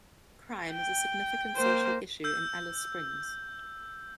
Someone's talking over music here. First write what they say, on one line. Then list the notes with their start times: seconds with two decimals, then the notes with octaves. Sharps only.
Crime is a significant social issue in Alice Springs.
0.72 G5
1.57 A#3 C5
2.24 E6 G6